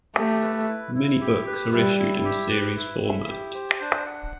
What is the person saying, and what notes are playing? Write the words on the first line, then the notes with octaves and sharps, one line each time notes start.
Many books are issued in series format.
A3 G4
B4
E4
E4
G4
B4
G3 E4
E4
G4
B4
E4
E4
G4
C5
D4
F#5